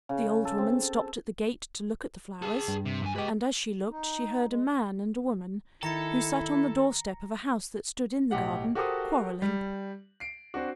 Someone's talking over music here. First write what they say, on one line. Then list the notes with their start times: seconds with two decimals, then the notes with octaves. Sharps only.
The old woman stopped at the gate to look at the flowers; and as she looked she heard a man and a woman, who sat on the door-step of a house that stood in the garden, quarreling.
0.09 C#3
0.45 A4
0.58 C4
2.42 G#4 A5
2.68 G2
2.85 C3
3.02 F#2 G#5
3.16 G#3 G4 B4 D#5
3.90 D#4
4.50 G#3
5.83 D#3 E4 A4 A#5 A#6 C#7
8.31 B1 A2 G4 F#5
8.75 F#4 G4 A4 A#4 C5 D#6
9.42 G3
10.20 C7 D7
10.54 C4 D4 F#4